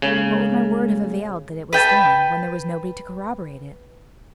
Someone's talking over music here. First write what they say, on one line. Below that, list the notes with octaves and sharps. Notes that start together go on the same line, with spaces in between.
What would my word have availed that it was Thorn, when there was nobody to corroborate it?
C#3 G#3 A#3 A4
B4 G5 A5